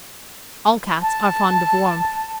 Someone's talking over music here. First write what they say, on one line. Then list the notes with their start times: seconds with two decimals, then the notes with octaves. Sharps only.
All Cats are fond of warmth.
1.02 A5